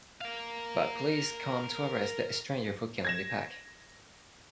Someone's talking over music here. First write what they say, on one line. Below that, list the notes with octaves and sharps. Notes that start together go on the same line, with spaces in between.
But police come to arrest the stranger for killing Dipak.
A#4 F5
G#6 A#6 E7